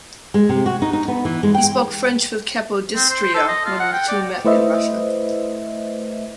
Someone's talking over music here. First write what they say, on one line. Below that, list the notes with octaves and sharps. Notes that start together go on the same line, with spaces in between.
He spoke French with Capodistria when the two met in Russia.
G#3
C3
F#4
D#4
D#4
B3
E3
G#3
G5
C4
C5
C5
A4
D#5
F4
F#5
G5
D5
A3 E4 B4 C5 D#5 E5